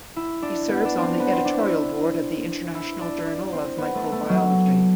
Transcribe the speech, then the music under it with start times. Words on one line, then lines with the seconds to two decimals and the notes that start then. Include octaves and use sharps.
He serves on the Editorial board of the International Journal of Microbiology.
0.16 E4
0.42 D4
0.69 B3
0.85 D4
0.97 D4
1.02 C4
1.20 B3
1.33 C4
1.45 D4
1.58 E4
2.75 E4
3.01 D4
3.26 D4
3.53 C4
3.78 B3
3.95 A3
4.12 A3
4.29 F#3